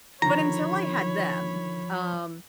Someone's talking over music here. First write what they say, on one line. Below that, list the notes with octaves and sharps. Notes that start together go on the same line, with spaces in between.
But until I had them, um,
D3 D#3 F3 C#5 A#5 B5